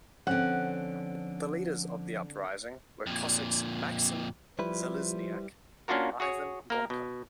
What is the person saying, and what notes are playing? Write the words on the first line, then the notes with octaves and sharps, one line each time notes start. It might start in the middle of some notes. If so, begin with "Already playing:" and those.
The leaders of the uprising were Cossacks Maksym Zalizniak and Ivan Gonta.
D3 F3 C4 C#4 F#5
F2 A#2
F3 G3 E4 F4 B4
A#3 C#4 D4 F4 F#4 A#4
F#4 G#4 C#5
A#3 A#4
B2